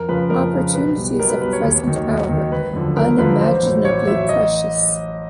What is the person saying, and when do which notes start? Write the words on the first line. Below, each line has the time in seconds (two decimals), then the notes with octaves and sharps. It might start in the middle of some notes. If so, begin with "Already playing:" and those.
Opportunities of present hour unimaginably precious.
Already playing: F2 A#4
0.08 C#3 F3 B4
0.30 F2 A#4
0.53 C#3 F3
0.74 B1 B4
0.97 B2 G3
1.19 B1 A#4
1.29 B4
1.41 B2 G3 B4
1.53 C#5
1.63 D#2
1.86 D#3 F#3
2.07 D#2
2.29 D#3 F#3
2.52 G#1 B4
2.73 F#2 D3 F3
2.97 G#1 A#4
3.18 F#2 D3 F3 B4
3.40 A1 C5
3.62 A2
3.67 F#3
3.85 A1 C#5
4.07 A2 F#3 E5
4.29 A1 D#5